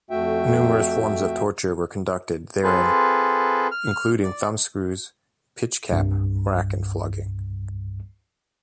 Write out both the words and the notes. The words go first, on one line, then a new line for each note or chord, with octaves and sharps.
Numerous forms of torture were conducted therein including thumb screws, pitch-cap, rack and flogging.
F2 A3 F#4 E5 G5
C4 F4 G#4 A4 B4
F6
D5
C2 G2